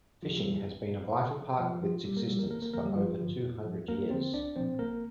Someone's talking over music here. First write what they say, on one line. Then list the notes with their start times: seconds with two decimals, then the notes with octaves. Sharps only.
Fishing has been a vital part of its existence for over two hundred years.
0.22 F2 F3 F4
0.37 G3 G4
0.45 D3 F3
0.68 A#1
0.91 A#2 F3
1.13 A#1
1.36 A#2 F3
1.59 F2 F3 F4
1.82 F3 F4
2.05 F2 G3 G4
2.16 A#3 A#4
2.27 F3 G3 G4
2.39 A#3 A#4
2.51 G1 A#3 A#4
2.62 A#3 A#4
2.73 F2 D3 F3 A#3 A#4
2.85 G3 G4
2.96 G1 F3 F4
3.19 G2 D3 F3
3.42 F2
3.65 F3
3.88 D2 A#3 A#4
4.10 D3 F3 C4 C5
4.33 C2 D4 D5
4.56 A#2 F3 C4 C5
4.79 G1 A#3 A#4